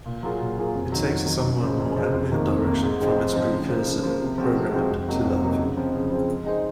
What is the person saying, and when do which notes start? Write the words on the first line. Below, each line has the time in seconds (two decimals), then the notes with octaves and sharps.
It takes a somewhat more ambient direction from its precursor, Programmed to Love.
0.06 A#2
0.23 F#3 A#3 F4 G#4
0.40 A#2
0.57 F#3 A#3 F4 G#4
0.74 F2
0.92 D#3 F#3
1.09 F2
1.26 D#3 F#3
1.44 F#2
1.61 C#3 F3 G#3
1.78 F#2
1.96 C#3 F3 G#3
2.13 F2
2.30 C3 D#3 A#3
2.47 F2
2.65 C3 D#3 A#3
2.83 G#2
3.00 F3 G#3 C4 D#4
3.16 G#2
3.34 F3 G#3 C4 D#4
3.52 C#3
3.69 F3 A#3
3.86 C#3
4.03 F3 A#3
4.20 C3
4.38 F3 G#3 C4 F#4
4.55 C3
4.72 F3 G#3 C4 F#4
4.90 F2
5.07 C3 F#3 A#3 D#4
5.24 F2
5.42 C3 F#3 A#3 D#4
5.59 C#3
5.76 F3 G#3 C4
5.93 C#3
6.11 F3 G#3 C4
6.28 G#3
6.45 D#4 G#4 C5